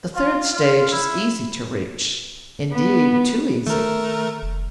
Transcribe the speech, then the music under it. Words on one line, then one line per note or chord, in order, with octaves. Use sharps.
The third stage is easy to reach--indeed, too easy.
F4
F4
E4
B3
D#3 A3 A#4
F1